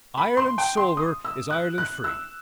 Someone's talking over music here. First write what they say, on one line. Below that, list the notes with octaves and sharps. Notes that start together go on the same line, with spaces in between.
Ireland sober is Ireland free.
B5
C6
G5
C6
D#6
E6
F#6
F#6
E6